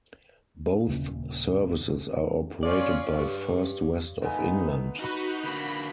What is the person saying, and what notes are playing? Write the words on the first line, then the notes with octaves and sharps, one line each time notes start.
Both services are operated by First West of England.
D#1 C#3 A#3 C#4
C#4 F4 C#5 D5
G2
F2 A3 B3 D#4 B4 G#5
D#4 F#4 B4
D3 A#3 F#4 B5